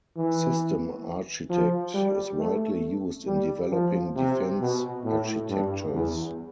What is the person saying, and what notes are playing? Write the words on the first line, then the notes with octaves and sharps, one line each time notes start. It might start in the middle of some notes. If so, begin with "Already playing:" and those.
System Architect is widely used in developing defense architectures.
E3
F3
G3
A3
G3
F3
C3
B2
A2
G2
E2